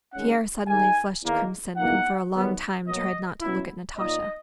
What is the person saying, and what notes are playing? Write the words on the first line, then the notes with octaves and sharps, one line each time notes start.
Pierre suddenly flushed crimson and for a long time tried not to look at Natasha.
D#3 G#3 C#4 F#5
D#3 G#3 D#4 G#5
E2 D#3 A#3
E2 B2 A#3 D#4 F#5
G#2 D#3 F#3 B3
B2 F#3 A#3 D#5
B2 F#3 C#4 E4
A#2 A#3 D#4 D#5